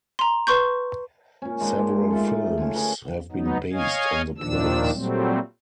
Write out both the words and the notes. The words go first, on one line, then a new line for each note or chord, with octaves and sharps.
Several films have been based on the plays.
A#5 C6
B4 C6 C#6 G6
A#2 C#4
G#3 A#3 D4 D#4
G#3
A3 F4 A4
D3 C#4
G#4 A#4 B4
F#3 B3 D#4
C#5 D#5 F5 G#5
D#2 A#2 D#3 F3 D4 E6
A#2 F#3 G3 A3 C4